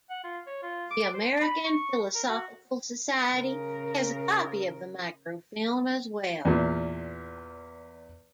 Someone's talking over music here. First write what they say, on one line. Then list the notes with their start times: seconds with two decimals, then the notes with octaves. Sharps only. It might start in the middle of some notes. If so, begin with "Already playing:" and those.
The American Philosophical Society has a copy of the microfilm as well.
0.10 F#5
0.24 F4
0.47 C#5
0.63 F4
0.91 D6
1.13 C5
1.41 B5
1.65 C#6
2.14 A#4
2.29 F#4
3.34 C#3 A#4
6.45 E2 A#2